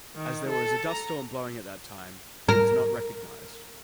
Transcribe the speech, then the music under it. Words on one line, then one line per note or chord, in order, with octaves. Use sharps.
As there was a dust storm blowing at that time, he was not recognized.
D#3
A4
A#5
A#4